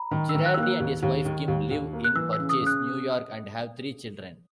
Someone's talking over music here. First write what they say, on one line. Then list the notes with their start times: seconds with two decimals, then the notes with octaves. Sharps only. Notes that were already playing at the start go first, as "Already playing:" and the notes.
Girardi and his wife Kim live in Purchase, New York, and have three children.
Already playing: A#5 B5
0.11 D#3
0.29 E6
0.35 D#3
0.45 F#6
0.54 E6
0.57 A#3
0.63 F#6
0.80 D#2
1.03 D#2
1.25 D#3
1.48 D#2
1.71 D#2
1.93 A#3
2.04 F#6
2.16 E3 E6
2.33 E6
2.39 C#3
2.49 D#6
2.61 C#3
2.67 F#6